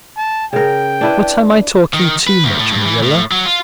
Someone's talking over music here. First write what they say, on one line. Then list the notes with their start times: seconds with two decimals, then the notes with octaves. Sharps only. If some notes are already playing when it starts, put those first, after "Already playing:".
But am I talking too much, Marilla?
0.17 A5
0.53 C#3 A#4 G5
1.01 D4 E4 B4
1.94 D#3
2.27 B4
2.44 D2
2.60 A2
2.72 G2
2.85 E3
3.03 A2
3.31 F#3
3.46 F4